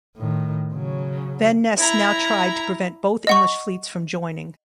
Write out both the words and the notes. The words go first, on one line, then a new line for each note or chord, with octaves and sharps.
Van Nes now tried to prevent both English fleets from joining.
A2 D#3
C#3 F#3
E4 A#5
D#5 F#5 C#6